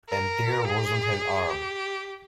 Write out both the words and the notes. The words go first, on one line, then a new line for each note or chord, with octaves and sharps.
And there wasn't an arm!
A#4
G#4
G4